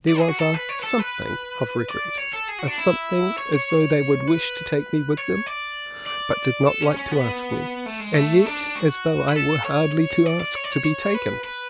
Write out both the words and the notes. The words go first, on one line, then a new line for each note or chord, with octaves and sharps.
There was a something of regret, a something as though they would wish to take me with them, but did not like to ask me, and yet as though I were hardly to ask to be taken.
D5
G#4
F#4
A4
B4
C#5
B4
A4
B4
D5
C#5
A4
G#4
F#4
D4
E4
C#5
C#5
B4
C#5
D5
D5
A4
C#4
C#4
B3
A3
G#3
A3
D4
F#4
B4
A4
C#5
D5
D5
C#5
D5
C#5
C#5
B4
B4